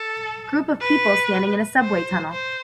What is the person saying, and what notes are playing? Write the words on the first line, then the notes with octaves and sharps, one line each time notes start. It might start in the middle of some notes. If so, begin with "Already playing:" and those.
Group of people standing in a subway tunnel.
Already playing: A4
B4
C5
C5